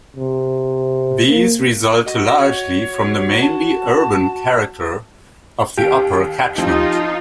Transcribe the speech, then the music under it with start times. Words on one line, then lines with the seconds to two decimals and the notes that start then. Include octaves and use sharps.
These result largely from the mainly urban character of the upper catchment.
0.16 C3
1.29 A#3
2.06 F#4 D#5
2.38 C#5
2.82 F#4
3.41 A5
5.78 D#2 G4 D7
6.58 F3 C4 D#4 F4